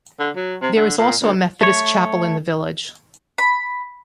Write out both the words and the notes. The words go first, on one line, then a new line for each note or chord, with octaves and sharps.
There is also a Methodist chapel in the village.
D3
F#3
C3
D3
A#2
D2
A3 C#5
B5